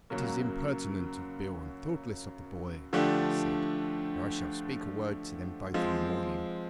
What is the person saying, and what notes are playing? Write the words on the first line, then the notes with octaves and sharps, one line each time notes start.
"It is impertinent of Beale and thoughtless of the boy," he said; "and I shall speak a word to them both in the morning."
F#2 C#3 F#3 A#3
D3 F3 A3 D4 G4
F3 G#3 C4